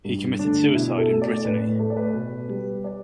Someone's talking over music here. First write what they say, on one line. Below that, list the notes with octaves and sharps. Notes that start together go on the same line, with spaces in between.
He committed suicide in Brittany.
G2
D3 A3 D4
B2 E4
A4
A3
D5
A2 B4
A3
D5
B4
B2
G3
D5